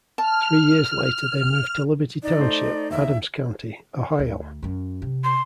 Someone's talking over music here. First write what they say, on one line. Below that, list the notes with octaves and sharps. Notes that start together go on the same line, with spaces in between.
Three years later, they moved to Liberty Township, Adams County, Ohio.
A5 F6
D#4 D5
A3 C5
D#2 E5
D2
F#2 F#3
C3
C6